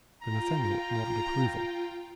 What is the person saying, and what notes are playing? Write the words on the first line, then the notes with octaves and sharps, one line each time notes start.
Sir Nathaniel nodded approval.
F4 G5 A#5